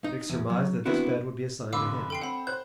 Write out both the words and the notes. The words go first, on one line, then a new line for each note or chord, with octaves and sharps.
Dick surmised that this bed would be assigned to him.
D#4
E2
F#3
B3 C4 D4 E4 F#4
F1 D3 F5 B5 D6 E6
A4 G5 C7
C4 F#5 B5
C5 F#6 G6